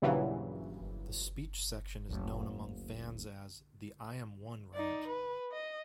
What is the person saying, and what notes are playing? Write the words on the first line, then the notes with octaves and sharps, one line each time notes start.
The speech section is known among fans as "the I Am One rant".
A#1 G2 C#3 E3 F#3
F#1 D2
D#4 D5
B4
D#5